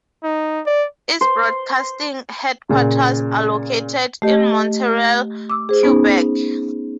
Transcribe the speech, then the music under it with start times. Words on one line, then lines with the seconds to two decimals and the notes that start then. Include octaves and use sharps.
Its broadcasting headquarters are located in Montreal, Quebec.
0.24 D#4
0.66 D5
1.21 C5
2.69 A#2 C#3
4.22 A3 G4 D#5
5.50 D6 E6
5.69 G#4 C5
5.83 B3 C#4 D#4